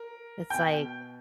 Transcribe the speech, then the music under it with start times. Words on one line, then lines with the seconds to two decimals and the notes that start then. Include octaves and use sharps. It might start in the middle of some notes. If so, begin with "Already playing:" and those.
It's, like,
Already playing: A#4
0.50 B2 G5 G6